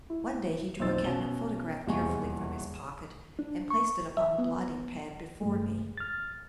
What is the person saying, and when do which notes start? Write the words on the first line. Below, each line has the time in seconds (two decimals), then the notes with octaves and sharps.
One day he drew a cabinet photograph carefully from his pocket, and placed it upon the blotting-pad before me.
0.10 E4
0.79 B1 F2 D#3 C5 E6 A6
1.04 B2 C#4 G7
1.86 D#1 E2 B2 G#3 G#5 C#6
3.39 D4
3.70 C#6
4.17 E5
4.38 B3
5.41 G2 G#3 A3
5.97 F6 A6